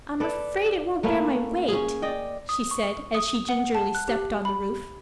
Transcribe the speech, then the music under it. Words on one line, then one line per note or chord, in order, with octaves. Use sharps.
"I'm afraid it won't bear my weight," she said as she gingerly stepped on the roof.
A4 B4 D5
A3 A#3 C#4 E4
C#4 G#4
D5 D#5 G5
D#6
C#6
D#6
F#5
A5
F#6
G4
B5